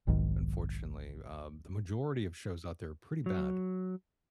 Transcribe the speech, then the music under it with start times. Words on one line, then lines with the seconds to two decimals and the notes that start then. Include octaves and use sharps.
unfortunately, um, the majority of shows out there are pretty bad.
0.07 F1 B1 G#2 D#3
3.26 F#3